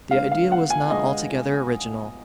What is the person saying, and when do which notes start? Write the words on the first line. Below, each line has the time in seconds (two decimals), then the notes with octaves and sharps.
The idea was not altogether original.
0.11 D3 G#3 B3 F5
0.32 F5
0.52 F#5
0.70 G#5
0.90 D3 G#3 B3 D#5